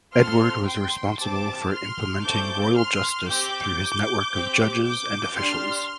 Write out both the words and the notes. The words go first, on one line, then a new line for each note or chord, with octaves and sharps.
Edward was responsible for implementing royal justice through his network of judges and officials.
C4 F4 A4 C6 F6
G5 C6
C4 G4 A5 D6
C6 F6
A3 C4 A4 D6 G6
C6 F6
C4 G4 D6 G6
C4 G4
D6 G6
D4 G4 C6 F6